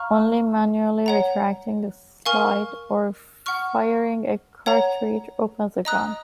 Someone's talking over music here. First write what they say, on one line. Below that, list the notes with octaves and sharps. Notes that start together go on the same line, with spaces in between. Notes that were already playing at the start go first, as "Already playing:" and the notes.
Only manually retracting the slide or firing a cartridge opens the gun.
Already playing: F5 A#5 C#6 F6
C#5 F#5 A#5
A#4 F5 G#5 C#6 F6
F#5 C#6 F6
C#5 F#5 A#5
D#5 A#5 D#6 F#6